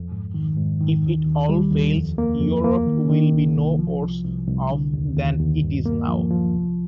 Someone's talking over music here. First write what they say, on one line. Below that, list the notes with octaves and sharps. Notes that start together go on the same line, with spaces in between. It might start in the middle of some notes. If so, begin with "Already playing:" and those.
If it all fails, Europe will be no worse off than it is now.
Already playing: F2
G#2
D#3
G#2
D#3
D#2
D#2
G3
D#2
F2
A#3
F2
A#3
D#3
D#3
C2
C2
F3
C2
C2
C2
D3
D#2
D#2
D#2
G2
A#3
F3
F3
C2